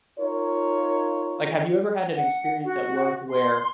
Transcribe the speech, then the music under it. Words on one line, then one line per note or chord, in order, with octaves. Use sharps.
like, have you ever had an experience at work where
D#4 F4 A#4 C5 C#5
F#5
F#4
C6